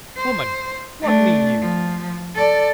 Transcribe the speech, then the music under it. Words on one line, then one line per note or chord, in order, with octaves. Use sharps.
"Woman, what mean you?"
C5
A3 D4
F3
A4 D5